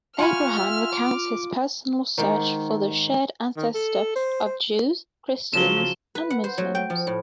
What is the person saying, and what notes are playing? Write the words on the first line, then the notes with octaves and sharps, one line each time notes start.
"Abraham" recounts his personal search for the shared ancestor of Jews, Christians, and Muslims.
F4 F#5 G#5 B5 C#6 F6
E5
D6
G#2 D#3
D#3
A4
C5
C5
C#3 F3 F#3 E7 G7
B4
F#5
C5
F#3
G5
F3
A2